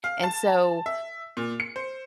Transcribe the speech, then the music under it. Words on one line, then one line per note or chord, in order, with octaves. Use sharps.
And so,
F5
A5
E5
A#2
C#7
C5